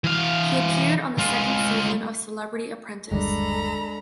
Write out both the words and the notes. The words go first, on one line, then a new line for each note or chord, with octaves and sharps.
He appeared on the second season of "Celebrity Apprentice".
E3 F5
G#3 F4
G1 D#2 G3 G#3 D4 A4 A#5 B5